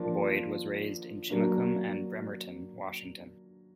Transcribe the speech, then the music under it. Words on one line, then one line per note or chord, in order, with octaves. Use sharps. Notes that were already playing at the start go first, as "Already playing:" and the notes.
Boyd was raised in Chimacum and Bremerton, Washington.
Already playing: F3 A#3 D4
F#3 A#3 D4